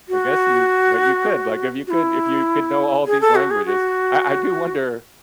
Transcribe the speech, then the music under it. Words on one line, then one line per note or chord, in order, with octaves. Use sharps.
I guess you but you could, like, if you could if you could know all these languages, I I do wonder
F#4
F#4
E4
G#4
A4
F#4
G#4
F#4